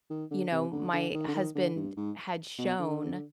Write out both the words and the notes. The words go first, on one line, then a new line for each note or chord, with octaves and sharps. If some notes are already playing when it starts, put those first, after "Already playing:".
you know, my husband had shown
D#3
D3
C3
D3
D3
D#3
D3
D#3
D3
G2
G#2
B2
D3